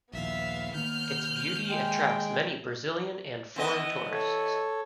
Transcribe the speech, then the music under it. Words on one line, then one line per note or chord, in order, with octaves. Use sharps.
Its beauty attracts many Brazilian and foreign tourists.
A#1 D#2 B3 E5 F5
D#3 A#3 F6 G6
G#3 G5
E3 B3 D#5
A4 C#5